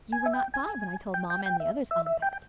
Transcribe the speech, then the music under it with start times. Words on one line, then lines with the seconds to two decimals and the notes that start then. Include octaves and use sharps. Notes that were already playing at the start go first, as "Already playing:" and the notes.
You were not by, when I told mamma and the others all about it.
0.12 G#5
0.26 E5
0.33 G5
0.54 G#5
1.14 G5
1.30 G5
1.46 G5
1.60 E5
1.91 E5
2.06 E5
2.22 G5
2.33 G5